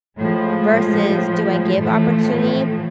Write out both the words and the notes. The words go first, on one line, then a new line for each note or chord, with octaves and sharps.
versus do I give opportunity,
A2 F3 G#3
A2 E3 F3 A3